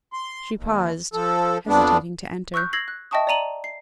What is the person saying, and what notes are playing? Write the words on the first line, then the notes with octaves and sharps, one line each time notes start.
She paused, hesitating to enter.
C6
D#2
F3 A4
F2 B3 D4
C#6 E6 F#6 G6
E6 G#6 A#6 C7 F#7
F#6
D#5 E5 G5 A5 C#6 D#6
D5 D#5 A#5 D#7 F#7
C7